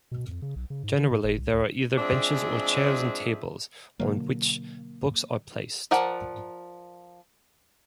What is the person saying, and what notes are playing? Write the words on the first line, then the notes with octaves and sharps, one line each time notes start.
Generally, there are either benches or chairs and tables, on which books are placed.
B2
F2
C#3
B1
C#3
G#2
D#3
G#2
F#1
C2
D2
F3 G#3 C4 D4 G#4 E5
B2 D3 F#3 A#3
F3 A#4 D5 F#5